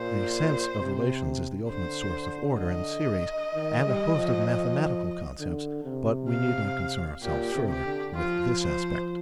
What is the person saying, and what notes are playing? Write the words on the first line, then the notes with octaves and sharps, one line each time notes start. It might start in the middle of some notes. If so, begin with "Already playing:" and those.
The 'sense' of relations is the ultimate source of order and series and a host of mathematical concepts; but we need not concern ourselves further with this aspect.
Already playing: A#2 C5
C3
D3 C5
D#5
D#3
G3
F3
D3
C3
F5
A#2 G4
C3
G4
D3
F3 F4
C5